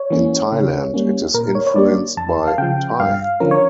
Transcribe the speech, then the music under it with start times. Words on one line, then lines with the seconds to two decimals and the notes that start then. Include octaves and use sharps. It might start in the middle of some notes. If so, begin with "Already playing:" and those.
In Thailand, it is influenced by Thai.
Already playing: C#5
0.10 E3 A#3 C#4
0.52 C#3
0.94 G3 A#3 C#4
1.34 A#2 A#4
1.55 C#5
1.67 C#5
1.76 G3 A#3 D4 D5
2.17 F2 A5
2.47 F5
2.58 C#3 F3 G5
2.99 G2 F5
3.40 D3 F3 C#4 A#4
3.51 C#5